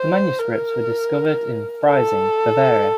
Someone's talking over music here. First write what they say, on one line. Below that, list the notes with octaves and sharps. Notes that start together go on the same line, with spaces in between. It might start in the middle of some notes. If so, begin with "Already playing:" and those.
The manuscripts were discovered in Freising, Bavaria.
Already playing: C5
A#4
A4